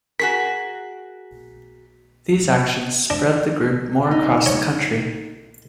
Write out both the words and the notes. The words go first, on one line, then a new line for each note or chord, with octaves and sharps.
These actions spread the group more across the country.
F#4 G#4 A#4 B6
D4
D#4
C#5